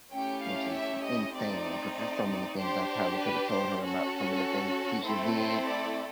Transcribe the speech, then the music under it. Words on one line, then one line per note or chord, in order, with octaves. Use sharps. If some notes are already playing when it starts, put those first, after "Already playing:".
which is insane 'cause there's so many things I probably coulda told her about, some of the things the teachers did,
A3 C#4 E4 G4 G5
F5
E5
D#5
A3 C4 D#4 D5
D5
D4 G4 C5
B4
C5
C#4 F#4 A4
A3 C4 E4 A4 C5
C5
D5